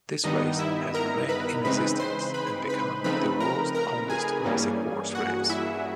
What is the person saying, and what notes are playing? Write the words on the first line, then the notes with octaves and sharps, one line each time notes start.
This race has remained in existence and become the world's oldest classic horse race.
G2 D#3 G3 B3 D#4 D#5
E4 E5
A#4 A#5
B4 B5
C#3 E3 G#3 C4 D#4 B4 B5
C5 C6
B4 B5
B4 B5
C#3 F3 A3 C4 D#4 B4 B5
A#4 A#5
A#4 A#5
G#4 G#5
G2 E3 G3 A#3 C#4
F#4 F#5
E4 E5